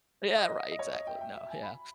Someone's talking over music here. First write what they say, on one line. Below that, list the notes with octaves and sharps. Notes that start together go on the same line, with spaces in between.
Yeah, right, exactly no, yeah.
D#5
D#5
C#5
D#5
G5
E5
G5
E5
G#5
B5